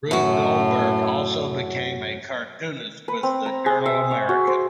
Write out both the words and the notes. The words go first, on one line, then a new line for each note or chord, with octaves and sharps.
Rube Goldberg also became a cartoonist with the "Journal-American".
F#2 A2 F#4
B4
C4
A#5
G#4
E5
C#6
F#4
C5